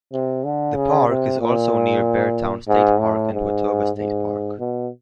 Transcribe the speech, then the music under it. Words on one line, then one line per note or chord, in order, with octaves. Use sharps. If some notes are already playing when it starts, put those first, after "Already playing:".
The park is also near Beartown State Park and Watoga State Park.
C3
D3
C#3
C3
A#2
G#2
A2
G#2
G#2
B2